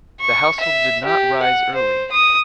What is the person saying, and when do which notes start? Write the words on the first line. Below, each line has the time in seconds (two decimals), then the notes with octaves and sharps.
The household did not rise early.
0.20 C#6
0.60 E5
1.05 G4
1.42 F#5
1.75 C5
2.12 D#6